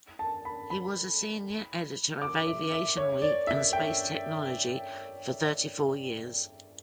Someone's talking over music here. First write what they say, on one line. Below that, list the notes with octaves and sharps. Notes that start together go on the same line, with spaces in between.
He was a senior editor of "Aviation Week and Space Technology" for thirty-four years.
A5
B5
B5
D6
E5
E5
C#5
D5
E5
G5